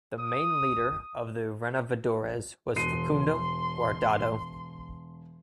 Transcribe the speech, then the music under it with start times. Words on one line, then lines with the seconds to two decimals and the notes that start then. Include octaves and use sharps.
The main leader of the Renovadores was Facundo Guardado.
0.19 D#6
2.76 E1 C6 C7 D#7